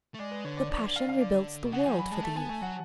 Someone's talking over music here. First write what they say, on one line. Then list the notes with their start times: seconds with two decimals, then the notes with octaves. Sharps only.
The passion rebuilds the world for the youth.
0.14 A3
0.19 G#3 D5
0.31 B4
0.44 D3 C#5
0.57 D5
0.70 D3 D5
0.77 F3
0.84 D3 D5
0.96 F5
1.09 F5
1.21 D5
1.63 B2
1.72 C#3 F#5
1.85 F3 G#5
1.98 F#3 B5
2.11 G#3 A5
2.23 A3 A5
2.36 B3 G#5
2.49 A3 G#5
2.62 F#3 F#5